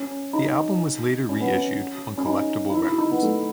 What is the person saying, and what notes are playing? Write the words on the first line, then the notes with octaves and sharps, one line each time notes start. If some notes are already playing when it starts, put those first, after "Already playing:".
The album was later reissued on Collectables Records.
Already playing: C#4
D#4
C#4
B3
C#4
C#4
D#4
D#4
E4
E4
D#4
B3
A3